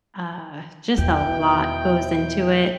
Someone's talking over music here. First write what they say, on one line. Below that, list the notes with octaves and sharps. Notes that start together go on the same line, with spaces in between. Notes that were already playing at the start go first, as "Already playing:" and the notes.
uh, just a lot goes into it,
E2 B2 E4 G5